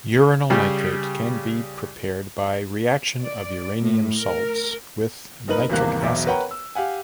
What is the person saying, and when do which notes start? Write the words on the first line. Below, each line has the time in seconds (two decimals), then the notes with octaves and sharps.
Uranyl nitrate can be prepared by reaction of uranium salts with nitric acid.
0.50 C#3 G3 G4 G#4
3.22 D5
3.80 A2
4.20 A#4
5.48 F#1 D#4 A#4 B4 F#7
5.69 G#1 E2 C3 G3 A#3 F#6
6.01 E1 B1 E5 D6
6.26 A#4 B4 C#5 F#5 G5 A#5
6.51 E6
6.75 G4 F5 F#5 G#5